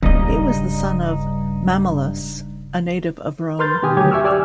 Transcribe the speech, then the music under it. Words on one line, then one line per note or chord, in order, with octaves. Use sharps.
He was the son of Mammalus, a native of Rome.
D#1 G2 C#3 G3 D#4 D#5
A#4 B4 C6 F6 G6 A6
B2 D#3 G4 G#5 D#6
D2 F#3 G4 C#5 G#6
E5 G#5 C#6 D6 E6 F6
G4 D5 G#5 D6 E6 F6